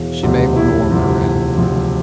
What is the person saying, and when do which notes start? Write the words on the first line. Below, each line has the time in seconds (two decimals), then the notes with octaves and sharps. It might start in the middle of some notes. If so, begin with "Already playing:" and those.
She may want a woman around.
Already playing: E1
0.23 D2 C3 F3
0.56 E1 E4
0.90 D2 C3 F3
1.24 E1
1.57 D2 C3 F3